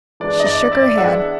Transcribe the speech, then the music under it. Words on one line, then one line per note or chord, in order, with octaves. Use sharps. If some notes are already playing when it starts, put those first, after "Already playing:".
She shook her head.
E3 G#3 B3 D4 D5
D#5
D5
D5 E5
E3 G#3 B3 D4 E5 F#5